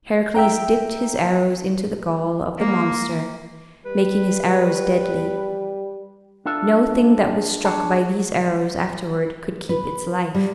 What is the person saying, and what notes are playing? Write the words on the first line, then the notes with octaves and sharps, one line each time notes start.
Heracles dipped his arrows into the gall of the monster, making his arrows deadly; no thing that was struck by these arrows afterward could keep its life.
E5 G5 A#5
A#3
G3 B4
D4 F4 A4 E5
D4 G#4 C#5 A5
B4
G3